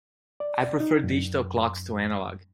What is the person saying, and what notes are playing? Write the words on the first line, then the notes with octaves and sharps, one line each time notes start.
I prefer digital clocks to analog.
D5
D#4
F#2